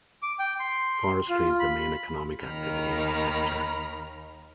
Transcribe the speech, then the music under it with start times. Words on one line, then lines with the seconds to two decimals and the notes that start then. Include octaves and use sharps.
Forestry is the main economic activity of the sector.
0.22 D6
0.39 G5
0.60 C6
1.29 F4
1.59 B5
2.43 D#2 D#3 A#5 B5 F6